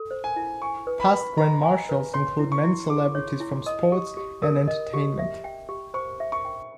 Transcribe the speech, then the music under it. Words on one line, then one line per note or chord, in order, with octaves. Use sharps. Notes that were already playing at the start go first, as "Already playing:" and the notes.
Past Grand Marshals include many celebrities from sports and entertainment.
Already playing: A4
C5
G#5
E4
G#5 C#6
B4
B5
B4
D#5 A#5
G#5
B4
C#5 C6
E4
C#6
E4
G#4 D6
C#5
E4
D#5 D#6
G4
G4
A#4 D#6
D#5
G4
E5
G5
G4
C5 C#6
E5
C#6
G5